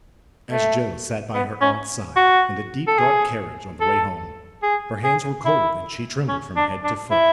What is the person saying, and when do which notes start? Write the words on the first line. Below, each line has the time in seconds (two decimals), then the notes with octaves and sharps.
As Joe sat by her aunt's side in the deep dark carriage on the way home, her hands were cold and she trembled from head to foot.
0.51 A3
1.34 B3
1.61 C#4
2.16 F#4
2.88 A4
2.98 G#4
3.81 A4
4.63 G#4
5.04 G#4
5.45 E4
6.28 C#4
6.56 D4
6.84 D4
7.11 E4